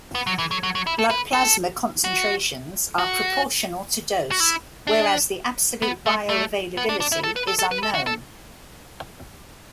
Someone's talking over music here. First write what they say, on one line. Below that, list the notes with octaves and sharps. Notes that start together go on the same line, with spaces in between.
Blood plasma concentrations are proportional to dose, whereas the absolute bioavailability is unknown.
B3
F#3
E3
F#3
F#3
F#3
E4
A4
B4
A4
F#4
F#4
F#4
E4
D4
B3
A3
A3
B3
D4
D4
E4
A4
B4
A4
A4
B4
A4
F#4
A4